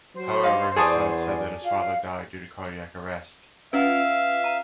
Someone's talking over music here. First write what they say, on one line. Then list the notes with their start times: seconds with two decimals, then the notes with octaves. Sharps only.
However his son said that his father died due to cardiac arrest.
0.15 F#3 C5
0.43 D#4 F5 D6
0.76 E2 G#4 D5 A5 A#5 C#6 D#6
1.63 F4 F5
3.73 C#4 F4 B4 E5 F5
4.44 A#5